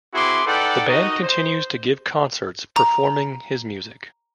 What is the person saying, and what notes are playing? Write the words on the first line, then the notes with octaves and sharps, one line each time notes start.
The band continues to give concerts performing his music.
C4 E4 F#4 G#4 C6 D6
D#4 A4 B4 D5 F#5 G5
D#4 F#4 A#4 D#5
C5
A#5